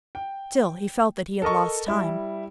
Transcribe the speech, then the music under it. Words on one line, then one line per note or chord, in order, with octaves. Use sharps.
Still, he felt that he had lost time.
G5
A4 A#4 D#5 C#6
G3 E4